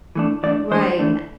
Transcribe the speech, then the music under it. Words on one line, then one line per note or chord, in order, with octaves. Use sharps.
Right, a
E3 A3 D4
E3 A3 D4 D5
E3 A3 D4 C5
E3 A3 D4